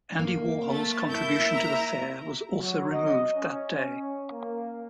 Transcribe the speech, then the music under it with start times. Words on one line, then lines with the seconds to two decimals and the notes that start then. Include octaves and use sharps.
Andy Warhol's contribution to the fair was also removed that day.
0.19 A#3
0.70 A3 A6
1.10 A#3 E4 E5 G6
1.55 A#5
2.57 F#3
2.92 D#5
3.36 C#4
4.32 A#3